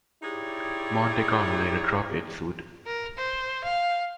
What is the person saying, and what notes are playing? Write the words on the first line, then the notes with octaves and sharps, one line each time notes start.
Monte Carlo later dropped its suit.
D#4 E4 G4 G#4 C#5 D5
A#4
C5
F5